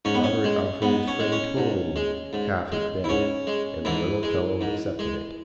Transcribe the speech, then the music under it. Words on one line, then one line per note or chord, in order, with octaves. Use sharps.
Robert offered his friend Toline half his bed, and the little fellow accepted it.
G#2 C#4
B3
C#4
G#3
G#2 B3
C#4
G#3
C#4
G#2
G#3
G#2
G#3
E4
G#2 C#4
G#3
G#2 E3 E4
G#3
G#2
G#3